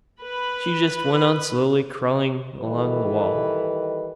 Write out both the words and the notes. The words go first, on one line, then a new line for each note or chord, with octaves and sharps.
She just went on slowly crawling along the wall.
B4 B5
D#3 E3 G3 A4 B4 D#5